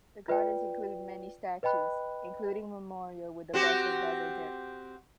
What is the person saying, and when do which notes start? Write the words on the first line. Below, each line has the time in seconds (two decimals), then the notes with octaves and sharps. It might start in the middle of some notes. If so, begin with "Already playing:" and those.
The gardens include many statues, including a memorial with a bust of Bazalgette.
0.28 F4 B4 D5 G5
1.63 B4 D#5 G5 B5 F#6
3.54 C4 F#4 G4